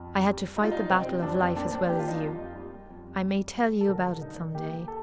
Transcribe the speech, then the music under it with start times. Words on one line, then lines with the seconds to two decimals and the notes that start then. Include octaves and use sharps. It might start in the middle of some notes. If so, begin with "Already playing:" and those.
I had to fight the battle of life as well as you. I may tell you about it some day.
Already playing: F2
0.24 G3
0.56 G3 D#4
0.63 F4
0.72 D#4
0.89 C3 C4
1.22 F2 D4
1.40 C4
1.56 A#3 D4
1.67 C4
1.72 D4
1.89 A#3 G4
1.99 F4
2.08 D#4
2.19 F2 F4
2.55 G3
2.89 F2
3.21 G3
3.55 G3
3.81 A4
3.88 D3 A#4
4.22 D3 D#4
4.55 A#3 G4
4.88 A4